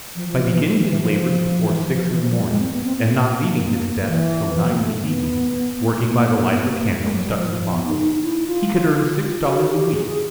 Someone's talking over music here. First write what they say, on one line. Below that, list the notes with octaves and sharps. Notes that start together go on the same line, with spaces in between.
By beginning his labors before six in the morning, and not leaving his desk till nine in the evening, working by the light of a candle stuck in a bottle, he could earn six dollars a week.
F3
F3
F3
E3
F3
E3
E3
F3
E3
F3
E3
F3
G3
G#3
C4
B3
C4
B3
A#3
E3
F3
A#3
A3
B3
A3
A#3
A#3
A#3
B3
A#3
A3
G#3
F#3
G3
F3
F3
F3
B3
D#4
D#4
D#4
E4
F4
F#4
G4
G#4
G#4